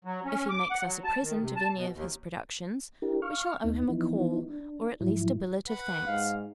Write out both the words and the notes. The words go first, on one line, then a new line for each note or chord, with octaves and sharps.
If he makes us a present of any of his productions, we shall owe him a call, or at least a billet of thanks.
F#3
C#4
D6
F#5
F#3
A5
D#3
C3
A5
B2
D#2
D4 E4 G4 A#4
F5 C#6 F6
D#2 B3 D#4
E3 F3 B3 D#4 E4
D4
G#2 F3 F#3 E4
B4 F#5
G#2 F5